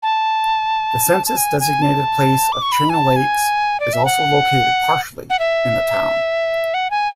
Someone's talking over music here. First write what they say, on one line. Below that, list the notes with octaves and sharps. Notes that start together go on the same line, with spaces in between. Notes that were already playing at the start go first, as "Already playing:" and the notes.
The census-designated place of Chain O' Lakes is also located partially in the town.
A5
A5
G#5
G#5
A5
D6
C#6
B5
G#5
A5
G#5
D5
E5
F#5
F#5
E5
F#5
G#5